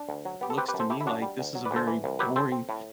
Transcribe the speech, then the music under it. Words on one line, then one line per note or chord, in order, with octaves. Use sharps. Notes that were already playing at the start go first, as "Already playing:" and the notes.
looks to me, like, this is a very boring
Already playing: D4
D2
F#3
B3 G4
A4
C4 G4 B4
G4 B4
F#2
A4 C5
A3 E4 G4
E4
F#2 D4 F#4
G3
D2
F#3
B4 D5
D2
A4 C5
E3
C2
F#3 G4 B4
C4 A4 C5
C4
A2